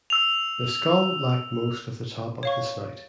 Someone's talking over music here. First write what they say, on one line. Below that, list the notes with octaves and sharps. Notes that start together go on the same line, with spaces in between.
The skull lacked most of the top of the snout.
E6 F7
C#5 F5 C#6